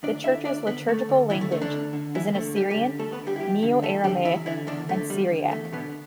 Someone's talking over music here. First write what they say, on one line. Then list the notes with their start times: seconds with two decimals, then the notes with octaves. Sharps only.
The church's liturgical language is in Assyrian Neo-Aramaic and Syriac.
0.03 D2 D4 D5
0.24 D3 E4 E5
0.45 D2 D4 D5
0.66 D3 B3 B4
0.88 D2 A3 A4
1.09 D3
1.30 D2 E3 E4
1.41 A3
1.52 D3 A3
1.62 D3 D4
1.72 D2
1.93 D3
2.14 D2 E3 E4
2.35 D3 A3
2.56 D2 G3 G4
2.70 G3 G4
2.77 D3
2.99 D2 A3 A4
3.12 B3 B4
3.19 D3
3.27 G3 G4
3.36 E4
3.40 E2 G3 G4
3.63 D3
3.82 E2 A3 A4
4.04 D3 G3 G4
4.25 E2 E3 E4
4.46 D3 E3 E4
4.67 E2 D3 D4
4.89 D3 A3
5.10 E2 G3
5.30 D3
5.51 E2 A3
5.72 B2 D3 B3